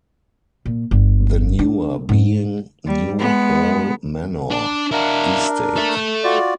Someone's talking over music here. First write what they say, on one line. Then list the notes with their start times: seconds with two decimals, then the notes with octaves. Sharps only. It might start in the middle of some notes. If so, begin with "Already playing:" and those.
The newer being New Hall Manor Estate.
0.66 A#2
0.91 G1
1.59 D4
2.09 G#2
2.86 G3
3.19 G#3 B3
4.50 D4 D5
4.91 D4 E4 F#4 A#4
5.77 A4 E5
6.24 F4 F#4 D5